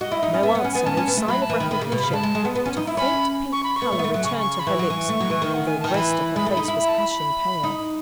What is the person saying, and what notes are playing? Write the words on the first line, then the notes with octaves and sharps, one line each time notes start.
No answer; no sign of recognition; but a faint pink colour returned to her lips, although the rest of her face was ashen pale.
F#4 D#5
E4
D#4
C#4
B3 E5
B3 F#5
C#4
B3 G#5
C#4 A5
C#4
B3
A3
F#3 B5
A5
E3
D#3 B5
D#3 B5
C#3
B2
C#3 B5
G#3 A5
G#3
G#3
B3
B3
C#4
D#4
E4
C#4 B5
C#6
B5
C#6
B3
A3
B3
A3
F#3
C#3 C#6
C#6
B5
E3 C#6
F#3
E3
A3
F#3
E3
D#3
F#5
G#5
D#3 A5
E3 B5
G#3 B5
A3
B5
D#4
E4 B5
B5
A5
B5
D#4